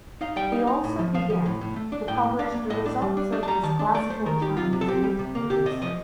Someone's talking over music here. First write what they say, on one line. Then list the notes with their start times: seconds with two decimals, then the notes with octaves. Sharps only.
He also began to publish the results of his classical Chinese literature research.
0.21 D#4 F5
0.36 G3 G5
0.52 D#4
0.67 D#4
0.84 A2
0.99 F3
1.14 F3 F5
1.30 F3
1.46 A2
1.61 A2
1.76 A3
1.92 D4
2.08 A2 G5
2.23 A#3
2.39 D4 F5
2.54 A#3
2.70 A2 D#5
2.86 D4
3.02 G3
3.17 D4
3.32 D4 D#5
3.43 A5
3.48 G3 A#5
3.63 D#3 A5
3.79 D4
3.94 A3 D5
4.10 A3 C5
4.26 D#3 A#4
4.41 D#4 G4
4.57 C3 F4
4.73 C3
4.81 A4
4.88 C4 G4
5.04 G3
5.19 C3
5.35 A#3
5.50 C3 G4
5.66 C3 D#5
5.81 F3 D#5